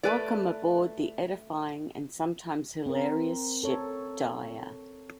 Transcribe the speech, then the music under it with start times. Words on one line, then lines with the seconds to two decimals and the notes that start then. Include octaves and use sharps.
Welcome aboard the edifying and sometimes hilarious ship Dyer.
0.03 A3 B4 D5
2.86 C4 A#4
3.64 A4 C#5